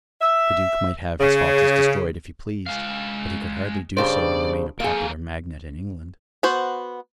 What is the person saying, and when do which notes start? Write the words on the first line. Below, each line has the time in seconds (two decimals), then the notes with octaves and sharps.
The Duke might have his foxes destroyed if he pleased, but he could hardly do so and remain a popular magnate in England.
0.21 E5
1.20 C#3
2.67 G#3 F5
3.97 G2 C#3 C5 D5
4.80 A#3 G#4 A4 F5
6.43 B3 F#4 C5